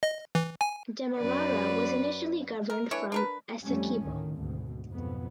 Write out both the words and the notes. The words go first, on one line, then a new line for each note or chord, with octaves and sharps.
Demerara was initially governed from Essequibo.
D#5
E3
G#5
F#2 B4 D5
A#4
E3 A3 D4 C#5
D4 A#4 B4
F2 G3 A3 C#4
D2 A2 D#3
G#1 D2 B2
B1 F2 G#2 B3